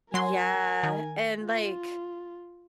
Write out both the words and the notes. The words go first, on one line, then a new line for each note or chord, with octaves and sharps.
Yeah, and like,
F#3 A#4 G#5 C6
D#3
F4